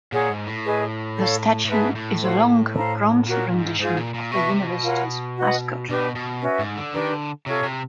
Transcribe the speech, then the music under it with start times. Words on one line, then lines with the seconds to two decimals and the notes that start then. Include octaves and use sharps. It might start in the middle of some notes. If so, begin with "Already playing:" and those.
The statue is a long, bronze rendition of the University's mascot.
0.12 A#2 G#4 C#5 F#5
0.29 G#2
0.47 A2
0.64 G#4 B4 D#5
1.17 A4 C#5 F5
1.65 A2
1.69 G#2 G#4 B4 E5 A5
1.95 A2
2.22 F#4 A4 C5 F5
2.74 A4 C5 F5 A#5
3.26 A#2 F#4 A#4 C#5
3.54 G#2
3.80 G#2 F4 G#4 C5
3.97 A#2
4.14 A#2
4.31 B2 B4 E5 A5 C#6
4.50 C3
4.67 B2
4.84 F4 A#4 C#5 F#5
5.37 F#4 B4 D#5 F#5
5.89 B2 D4 G4 B4
6.15 B2
6.42 C#4 F#4 B4 E5
6.59 G#2
6.77 D3
6.94 D#3 D4 G4 B4 D5
7.12 D3
7.46 C3 F4 A4 C#5
7.63 C3